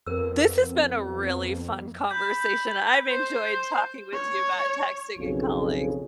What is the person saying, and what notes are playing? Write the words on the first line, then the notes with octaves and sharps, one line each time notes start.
this has been a really fun conversation. I've enjoyed talking with you about texting and calling.
F2 B3 A#4 E6
B5 G6
C5
C#5
B1 F2 C#3